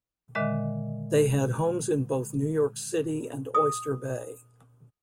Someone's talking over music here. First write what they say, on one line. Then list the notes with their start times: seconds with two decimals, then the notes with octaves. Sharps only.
They had homes in both New York City and Oyster Bay.
0.35 A#2 D3 D#3 G#3 D#5 E5
3.55 D#6